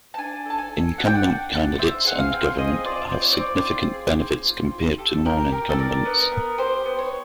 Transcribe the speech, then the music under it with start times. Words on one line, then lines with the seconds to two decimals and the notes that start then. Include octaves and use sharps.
Incumbent candidates and government have significant benefits compared to non-incumbents.
0.14 A5
0.18 D4 G#5
0.46 A4 A5
0.58 G#5
0.72 A4
0.98 D4 F#5
1.06 G5
1.15 F#5
1.25 D4
1.52 D4
1.78 C4 E5
2.05 G#4 F#5
2.19 F5
2.32 C4
2.58 G#4 D#5
2.85 F4 D5
3.11 C4 D5
3.22 C#5
3.33 D5
3.38 C4
3.65 F4
3.92 G#4
4.19 C4
4.46 F4
4.71 F4
4.98 G4 A4
5.25 G4 A#4
5.52 G4 A#4
5.70 A4
5.79 D4 A#4
6.05 B3
6.19 A#4
6.32 B3
6.58 G4 C5
6.86 B3
6.99 C#5